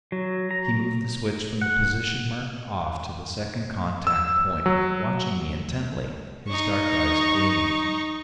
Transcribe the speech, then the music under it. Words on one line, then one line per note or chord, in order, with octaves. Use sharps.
He moved the switch from the position marked "Off" to the second contact point, watching me intently, his dark eyes gleaming.
F#3
A#5
F#5
E6
F#3
D#4 C#6